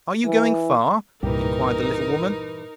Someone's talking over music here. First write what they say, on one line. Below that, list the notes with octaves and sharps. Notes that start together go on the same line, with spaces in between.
Are you going far?' inquired the little woman.
E3
C2 G2 A#2 E3 D#4 G4 A#4